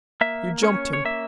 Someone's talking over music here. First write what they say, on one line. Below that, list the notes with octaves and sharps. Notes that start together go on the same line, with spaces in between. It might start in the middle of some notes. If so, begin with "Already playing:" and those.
You jumped him.
A#3 E5
C#4 C#5
C#5
A#3 E5